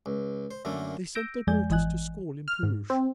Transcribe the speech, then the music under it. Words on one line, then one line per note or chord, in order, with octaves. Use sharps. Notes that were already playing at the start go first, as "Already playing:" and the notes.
They sent their daughters to school in Bruges.
C#2
C5
F#2 D3 A3 A#3
E6 G6 A#6 D7
F2 F3 G#3 D5 G#5 G6
G#1 E3 D#5 G#5 F#6
F6
G#2
C4